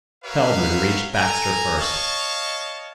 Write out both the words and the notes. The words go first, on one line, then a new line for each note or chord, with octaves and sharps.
Feldman reached Baxter first.
F#4 A#4 B4 C#5 E5 F5
A4 G#5 A#5
C#5 D#5 F5 A5 C#6